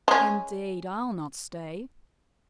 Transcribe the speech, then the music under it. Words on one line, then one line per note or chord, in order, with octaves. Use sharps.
Indeed, I'll not stay.
G#3 C#4